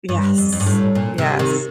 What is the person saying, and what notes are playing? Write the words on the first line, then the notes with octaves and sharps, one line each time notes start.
Yes. Yes.
G2
F2
F2
G2
A2
A#2
C3
C3 D#3